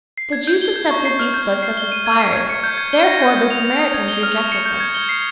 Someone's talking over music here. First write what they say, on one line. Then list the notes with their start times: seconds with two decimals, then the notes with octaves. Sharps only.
The Jews accepted these Books as inspired; therefore the Samaritans rejected them.
0.18 C7
0.32 G#6
0.47 G6
0.61 G7
0.76 G6
0.91 C#6
1.05 C7
1.19 F6
1.34 G6
1.48 C#6
1.63 C7
1.77 G7
1.92 D#7
2.06 G#6
2.20 C7
2.35 G#6
2.50 C#7
2.64 G6
2.78 G#6
2.93 G7
3.07 A#6
3.22 G6
3.36 G6
3.50 F7
3.65 A#6
3.79 D#6
3.94 G#6
4.08 G7
4.23 F6
4.38 C#6
4.52 C#7
4.66 G6
4.80 G#6
4.95 G7
5.09 C7